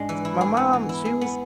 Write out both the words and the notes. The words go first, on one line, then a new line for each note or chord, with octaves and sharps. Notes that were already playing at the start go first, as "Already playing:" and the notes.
my mom, she was
Already playing: G#2 G#3 D4 G#4
E3
E4
G#4
B3
E3
E4
G#4
B3